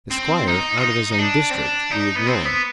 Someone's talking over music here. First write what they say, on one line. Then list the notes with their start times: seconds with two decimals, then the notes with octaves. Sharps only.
The Squire, out of his own district, we ignore.
0.11 C4
0.48 D#4
0.77 F4
0.83 D#4
1.12 D#4
1.19 D4
1.51 C4
1.56 D4
1.91 D#4
2.16 B3
2.27 C4
2.46 B3